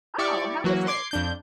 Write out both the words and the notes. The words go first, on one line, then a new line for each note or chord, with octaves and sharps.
Oh, how is it?
E4 G4 D5 C#6
E3 F#3 A#3 F#4
C6 D6 G#6 C7
F2 D4 G6